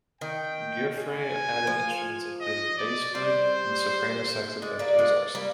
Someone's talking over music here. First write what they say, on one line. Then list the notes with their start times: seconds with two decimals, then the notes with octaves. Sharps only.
Giuffre added instruments including bass flute and soprano saxophone to his arsenal.
0.21 D#3 G5
0.94 G#5
1.67 F3
2.41 D#5
2.78 D5
3.15 G3 C5
4.61 G#3 D5
4.79 G3 A#3
4.99 G#3
5.35 G3 A#3